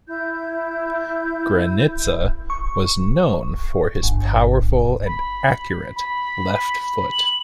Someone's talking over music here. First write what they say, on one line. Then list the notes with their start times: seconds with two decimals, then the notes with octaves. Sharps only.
Granitza was known for his powerful and accurate left foot.
0.08 E4 G6
2.50 C#6
4.03 G1
5.06 B5
5.96 B5
7.11 F#7